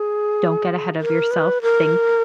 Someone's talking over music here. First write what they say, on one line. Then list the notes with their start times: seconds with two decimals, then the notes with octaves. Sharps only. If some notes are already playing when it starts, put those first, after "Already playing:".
don't get ahead of yourself. Think
Already playing: G#4
1.01 A#4
1.31 B4
1.62 A#4